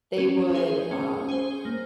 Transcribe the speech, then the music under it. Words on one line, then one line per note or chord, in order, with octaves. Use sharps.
They would, um
C#4
G#4 C5
C#4
G#4 C5
A#3